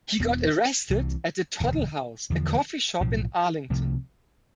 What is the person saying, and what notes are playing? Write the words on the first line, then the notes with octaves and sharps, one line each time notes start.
He got arrested at the Toddle House, a coffee shop in Arlington.
E1 E2 B2 B3
C2 C3 E3
E1 D2 D3
E2 D3 F3
B1 A2 F3
C2 C3 F3 A3